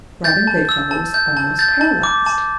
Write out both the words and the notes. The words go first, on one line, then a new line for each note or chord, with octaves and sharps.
Robin Goodfellow was almost paralyzed.
G6 A6
A5
E6
A5
G6
A5
G6 A6
A5
D6
A5